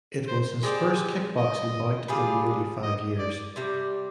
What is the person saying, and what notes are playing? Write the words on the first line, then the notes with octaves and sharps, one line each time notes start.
It was his first kickboxing bout in nearly five years.
C5
G#3 C4 G4 D5
D#5
G3 D4 F4 G#4
D#5
D5
C3 G3 D4